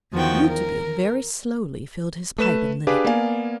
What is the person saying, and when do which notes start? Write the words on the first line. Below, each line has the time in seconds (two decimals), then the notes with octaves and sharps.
Rouletabille very slowly filled his pipe and lit it.
0.13 E2 D#3 F3 F#4 G5
0.47 A#4
2.38 A3 B4 E7
2.87 D4 G4 G#4 B4 F5 D6
3.05 A#3 B3 D5 F5 G#5